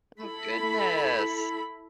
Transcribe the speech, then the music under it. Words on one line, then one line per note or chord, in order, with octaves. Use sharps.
Oh, goodness.
E4 A4 B5